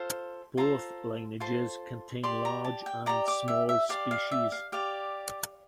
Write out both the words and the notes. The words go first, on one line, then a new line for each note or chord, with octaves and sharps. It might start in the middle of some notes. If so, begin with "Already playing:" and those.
Both lineages contain large and small species.
Already playing: F4 A4 C5 F5
F4 A4 C5 A#5
F4 A4 C5 C6
G4 D5 C6
A#5
A5
G5
G4 D5 A#5
D6
E5
E5
G4 D5 F5
F5
E5
F5
G4 D5 F5